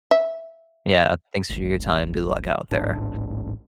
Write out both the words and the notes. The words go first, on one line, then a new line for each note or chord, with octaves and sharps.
Yeah, "Thanks for your time. Good luck out there."
E5
D1 G#1
D1 A1 G#2 D4